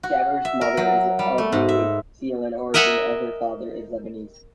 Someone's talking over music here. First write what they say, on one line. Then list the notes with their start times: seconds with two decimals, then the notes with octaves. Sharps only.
Jaber's mother is of New Zealand origin and her father is Lebanese.
0.03 F#4
0.45 E5
0.61 A#4
0.77 F#3
1.19 G3
1.38 A3
1.52 G#2
1.69 E5
2.74 A#4 D#5 E5 F#5 G#5 A#5